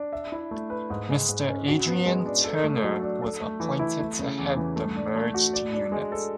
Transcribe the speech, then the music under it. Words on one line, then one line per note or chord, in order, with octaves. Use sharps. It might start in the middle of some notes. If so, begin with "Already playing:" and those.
Mr Adrian Turner was appointed to head the merged unit.
Already playing: D4
E5
E4
A3
B4
G#2
G#3
G#2
C#4
F#4
B3
G#3
D4
A4
A3
F#3
D4
A4
A3
E3
E4
A3
C#3
E2
E3
A3
D4
A3
F#4
D5
D4
G#3
A4